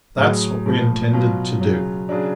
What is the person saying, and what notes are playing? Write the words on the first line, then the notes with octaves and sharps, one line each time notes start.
That's what we intended to do.
A2 F#3 G#4
A2 F3
B2 F#3 F4
C#3 F#3
C#3 F#3 D4